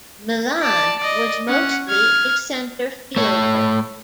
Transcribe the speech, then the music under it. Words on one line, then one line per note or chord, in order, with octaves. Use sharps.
Milan was mostly a center fielder.
D5 A5
D5 D#5
C#4 F#5
F6 G#6
A3 C#5